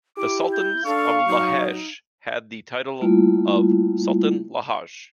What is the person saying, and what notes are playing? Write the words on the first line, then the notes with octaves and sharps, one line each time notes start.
The Sultans of Lahej had the title of "Sultan Lahj".
E4 G4 D6
G6
D4 A4 F5 C#6
F#3 D#4
G3 A3 A#3 E4 F4